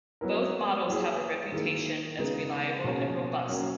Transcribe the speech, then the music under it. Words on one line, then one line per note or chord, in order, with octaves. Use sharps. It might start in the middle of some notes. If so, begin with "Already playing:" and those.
Both models have a reputation as reliable and robust.
F#3 B3 E4 A#4
F#3 A#3 E4 G#4
D#3 A#3 E4 G#4
C#3 G#3 B3 D#4 G#4
B2 A#3 C#4
F#3 A#3 C#4